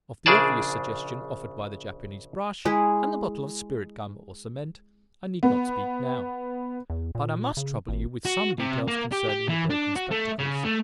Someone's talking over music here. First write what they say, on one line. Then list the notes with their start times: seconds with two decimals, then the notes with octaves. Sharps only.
Of the obvious suggestion offered by the Japanese brush and the bottle of 'spirit gum' or cement, I need not speak now; but I must trouble you with some details concerning the broken spectacles.
0.26 A#1 C#3 D4 G#4 D5 A5
2.65 G#3 E4 G#4
5.43 B3
6.90 E2
7.15 A#2
7.57 C#3
7.88 G#1
8.25 F#4
8.60 C3
8.88 A#3
9.12 G4
9.28 G4
9.49 E3
9.70 D4
9.96 F#4
10.11 A3
10.39 C#3
10.64 A3